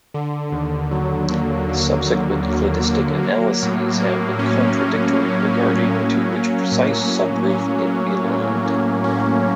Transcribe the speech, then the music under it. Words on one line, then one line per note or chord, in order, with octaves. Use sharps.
Subsequent cladistic analyses have been contradictory regarding to which precise subgroup it belonged.
D3
D#2
F#3
A#3
D3
D#2
F#3
A#3
F#3
A2
A#3
C#4
F#3
A2
A#3
C#4
F#3
A2
A#3
C#4
F#3
A2
A#3
C#4